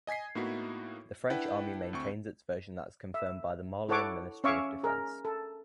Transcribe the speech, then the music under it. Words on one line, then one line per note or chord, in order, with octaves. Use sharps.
The French army maintains its version that is confirmed by Malian Ministry of Defence.
D#5 G#5 G#6 B6 C7
A2 A#3 B3 D#4 E4 F#4
D4 E4 B4 F#5 G5
D2 C4 C#6
E5
E4 A4 C#5 F#5 C#6 D6
C#4 C#5 E5 F5 C#6 D6
G#4 A#4
A4